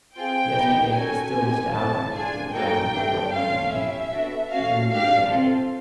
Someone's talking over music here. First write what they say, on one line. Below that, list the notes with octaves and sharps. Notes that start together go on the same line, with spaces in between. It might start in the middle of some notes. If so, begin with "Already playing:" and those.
Yesterday at the stillest hour did the ground give way under me: the dream began.
C4 F4 G#4 G5
B3 D#4 G4
C#4 F#4 A4 G#5
C4 D#4 G4
C4 E4 A4 A5
D4 F4 G#4 G#5
A#3 D#4 F#4 A4 G5
A3 D4 G4
C#4 F4 A4 F5
C#4 E4 G4 E5
B3 D4 F#4 A4
A3 C#4 F#4 F5
D4 G4 F5
C4 F4 A4